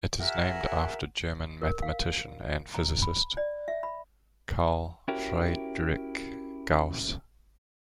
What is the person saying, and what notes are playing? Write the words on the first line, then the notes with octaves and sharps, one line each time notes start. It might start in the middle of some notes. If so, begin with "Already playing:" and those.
It is named after German mathematician and physicist Carl Friedrich Gauss.
F#4 G#4 A#4 E5 F#5
A#4
F5
A#5
B5
D5
E5
B5
C#4 E4 F#4 G4 A#4 C#5